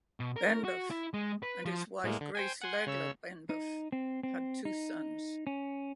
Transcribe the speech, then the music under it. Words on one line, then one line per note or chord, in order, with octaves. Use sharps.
Benbough and his wife Grace Legler Benbough had two sons.
B2
A#4
F#4
E4
G#3
B4
F3
A2 G#3 A#3
D3
C5 G5 G#5
F#5 G#5 C6
C#3 C#5 E6
D#4
C4
C4
D#4
C#4